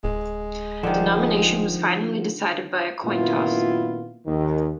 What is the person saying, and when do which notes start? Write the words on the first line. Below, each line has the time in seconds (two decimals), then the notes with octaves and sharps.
The nomination was finally decided by a coin toss.
0.04 D1 G#3
0.83 D3 D#3 F3
3.04 F#2 A#2 D#3 B3 E4 F4
4.26 D#2 D#3